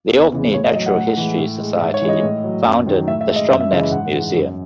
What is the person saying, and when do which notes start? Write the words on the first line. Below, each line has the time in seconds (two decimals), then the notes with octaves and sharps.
The Orkney Natural History Society founded the Stromness Museum.
0.12 E2
0.32 C#3 E3 G#3
0.54 A2 C#5
0.64 D#5
0.74 F#3 D#5
0.86 F#5
0.96 A2
1.17 E3 G#3
1.38 A2
1.59 G#3
1.81 G#2 E5
1.94 C#5
2.01 E3 G#3
2.09 D#5
2.23 A2
2.44 F#3
2.65 F#2
2.86 D#3 F#3
3.07 A2 E5
3.21 E5
3.28 G#3
3.36 D#5
3.50 F#2 E5
3.60 E5
3.71 C#3 E3 G#3 D#5
3.81 E5
3.91 G#2 F#5
4.13 E3 G#3
4.34 F#2